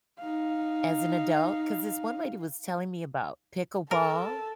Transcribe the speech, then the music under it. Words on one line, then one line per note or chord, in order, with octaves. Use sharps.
as an adult, 'cause this one lady was telling me about pickleball.
D#4 F5
A4 A#4 A5